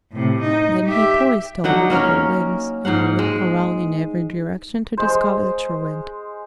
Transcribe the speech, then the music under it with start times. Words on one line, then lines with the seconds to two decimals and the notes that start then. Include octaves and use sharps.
Then he poised on level wings and looked around in every direction to discover the truant.
0.12 A2 C3
0.41 D#4
0.86 G4 E5
1.64 D3 F#3 D#4 F#5
1.90 A#3 C#4 A#4 C#5
2.85 G#2 D#4 F5 F#5
3.19 G#3
4.97 G#3 C5